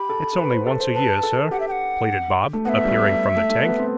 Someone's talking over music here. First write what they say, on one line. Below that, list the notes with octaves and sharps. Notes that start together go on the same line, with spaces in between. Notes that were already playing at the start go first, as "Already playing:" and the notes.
'It's only once a year, sir,' pleaded Bob, appearing from the tank.
Already playing: G4 B5
A4
A4
B4
C5
A4
C5
B4 A5
A4
G4 F#5
E5
G5
F#5
A3
B3 E5 F#5
G3
A3
A3
A3
B3
C4